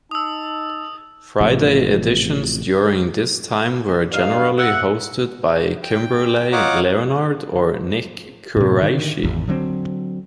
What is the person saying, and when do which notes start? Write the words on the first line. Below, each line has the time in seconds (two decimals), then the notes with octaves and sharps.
Friday editions during this time were generally hosted by Kimberley Leonard or Nick Quraishi.
0.11 D#4 A5 D#6 E6
1.41 A1 A2 C3 F3
4.11 G2 D#4 F5
4.57 E5 F#5
5.83 G5
6.52 F4 C#5 D#5 F#5 A#5 D6
8.57 A2 C3
8.82 D3 D#3
9.24 G#1 E2
9.47 D3 F#3 G#3 C4